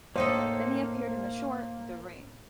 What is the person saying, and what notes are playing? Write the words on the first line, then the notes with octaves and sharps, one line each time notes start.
Then he appeared in the short "The Ring".
A2 A#3 D#4 A4 C5